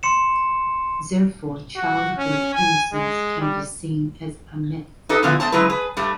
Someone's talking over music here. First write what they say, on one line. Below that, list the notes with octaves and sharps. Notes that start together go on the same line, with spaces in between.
Therefore, childhood innocence can be seen as a myth.
C6 C#7 E7
F#4
C#4
G#5
G#3
G3
D#4 G4 A4 B4 D#5
A#2 D3 F3 B3 E4 F#4
A3 B3 C5 A5
C#3 F#3 G#3 E4 B4
G#4 B4
G2 G3 A3